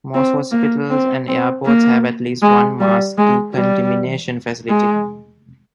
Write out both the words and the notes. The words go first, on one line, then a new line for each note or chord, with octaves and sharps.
Most hospitals and airports have at least one mass decontamination facility.
C4
A#3
C4
C4
A#3
G#3
G3
G#3
G3
G#3